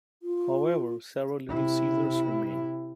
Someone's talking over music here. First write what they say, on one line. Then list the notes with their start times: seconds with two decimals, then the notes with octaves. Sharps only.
However, several Little Caesars remain.
0.23 F4
1.49 C3 E4